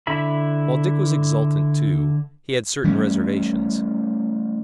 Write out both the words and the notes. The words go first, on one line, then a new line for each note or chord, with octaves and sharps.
While Dick was exultant, too, he had certain reservations.
D3 E4 E5 B5
E3 G3 A3 C#4